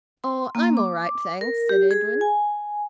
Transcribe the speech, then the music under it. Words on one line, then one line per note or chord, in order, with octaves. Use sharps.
"Oh! I'm all right, thanks," said Edwin.
C6
A#3
D6
A#4
G4
G#4
G#5